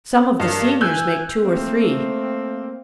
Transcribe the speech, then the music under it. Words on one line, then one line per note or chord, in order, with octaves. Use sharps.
Some of the seniors make two or three.
G2 A#4 D#5 F5
E3 G#5 E6 F#6 G6
A3 A#3 C4